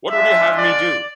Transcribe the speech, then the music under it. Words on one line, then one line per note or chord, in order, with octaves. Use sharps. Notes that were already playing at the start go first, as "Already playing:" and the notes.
What would you have me do?
G#3 D4 F4 E5
D5